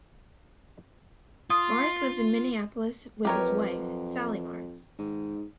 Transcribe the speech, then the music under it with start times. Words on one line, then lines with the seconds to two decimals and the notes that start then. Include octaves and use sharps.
Mars lives in Minneapolis with his wife, Sally Mars.
1.50 F4 D#6
3.25 F2 F#3 G4 A#4 B4 C#5 D#5
4.99 G#2 D#3